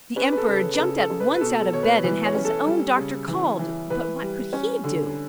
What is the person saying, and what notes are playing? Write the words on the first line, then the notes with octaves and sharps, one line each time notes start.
The Emperor jumped at once out of bed, and had his own doctor called; but what could he do?
C#4 B4
B4
A4
C#3 A4
B4
B4
C#3 A4
A4
C#3
B4
B4
B2 A4
A4
B2 C#5
B4
E3 B4
C#5
C#4
A4
G3
C#3
E3
E3
E3 B4
G3
C#4
D3